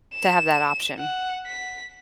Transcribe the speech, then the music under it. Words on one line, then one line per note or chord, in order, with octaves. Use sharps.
to have that option.
E7
F#5
B6